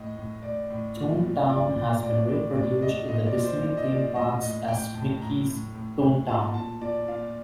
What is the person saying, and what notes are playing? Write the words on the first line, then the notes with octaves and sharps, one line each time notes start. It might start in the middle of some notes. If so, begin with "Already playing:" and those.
Toontown has been reproduced in the Disney theme parks as Mickey's Toontown.
Already playing: A2 D#5
A2
A2 D5
A2
A#2
A#2
A#2 D5
A#2
A2 D5
A2 D5
A2 D5
A2 D#5
A#2 D#5
D5
A#2
C5
A#2 D5
D#5
A#2 D5
A2 D#5
A2 D#5
A2 G5
A2 A5
A2 A#5
A2
A2
A2
A#2 A5
A#2 A5
A#2 D5
A#2 F5